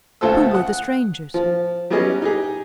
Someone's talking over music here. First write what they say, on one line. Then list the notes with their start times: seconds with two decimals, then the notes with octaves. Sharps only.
Who were the strangers?
0.21 D2 A3 F4 A4 C5 E6
0.51 F#5 D#6
1.34 F3
1.90 F#3 G3 B3 C#4 G#4 D#5
2.22 D#4 G4 G#4